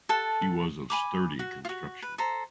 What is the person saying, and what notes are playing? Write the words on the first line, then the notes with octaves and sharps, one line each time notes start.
She was of sturdy construction.
A4 F#5 A5
G#5 B5 D6
F#4
F4 F#4
B4
A4 C5 A#5